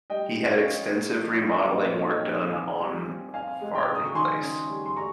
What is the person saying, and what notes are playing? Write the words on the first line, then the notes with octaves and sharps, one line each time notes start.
He had extensive remodelling work done on Firle Place.
G3 D#5 G5
C#4
C#5 F5
C#4
A#3
F3
F4
G5
F5
A#2 C5 D#5
C#5 F5
D#4
D#5 G5
D#4
C#5 F5
C4 F5 G#5
G3
C4
C4 F5 G#5
G#3
G5 A#5
C#3
D#6
C#6
D#3 G#5 C6
C#4
G3
C6
G3 A#5 C#6